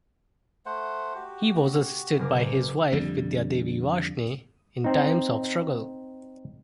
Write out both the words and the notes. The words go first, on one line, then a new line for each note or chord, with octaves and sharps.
He was assisted by his wife Vidya Devi Varshney in times of struggle.
A3 C5 F#5
F#4 G4
F#1 A#4 D6
F2 D3 G3
C4 D#4